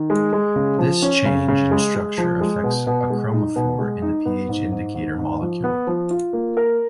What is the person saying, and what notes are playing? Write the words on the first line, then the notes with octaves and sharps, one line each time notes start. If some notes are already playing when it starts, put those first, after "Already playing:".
This change in structure affects a chromophore in the pH indicator molecule.
Already playing: D#3
G#3
G#3
C#3
F3
C#4
C#3
C#3
G#3
G#3
F3
G#3
B2
B2
G#3
D#4
B2
G#3
D#4
B3
G#2
G#2
G#2
G#2
F3
B3
F3
F4
A#3
A#4